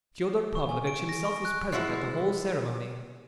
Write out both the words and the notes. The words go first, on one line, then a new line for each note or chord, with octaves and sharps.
Fyodor Pavlovitch himself was present at the whole ceremony.
C#6
G#5
D7
A#6
C#6
F#6
F3 G#3 E4 F#4